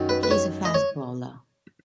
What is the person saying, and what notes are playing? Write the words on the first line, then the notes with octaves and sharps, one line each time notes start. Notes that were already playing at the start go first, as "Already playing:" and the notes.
He is a fast bowler.
Already playing: F#2 D#3 F#3
B4
B4
C#5
D#5
C#5